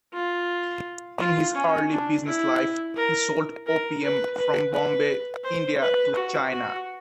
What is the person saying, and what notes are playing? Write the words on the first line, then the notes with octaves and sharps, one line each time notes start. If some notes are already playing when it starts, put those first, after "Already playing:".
In his early business life, he sold opium from Bombay, India to China.
F4
F4
C#4
D4
E4
A#4
A#4
B4
B4
B4
C5
B4
F#4
F#4